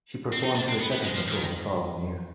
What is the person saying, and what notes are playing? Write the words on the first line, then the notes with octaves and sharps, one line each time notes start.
She performed her second patrol the following year.
C4
D#4
D4
C4
B3
B3
G#3
F3
D#3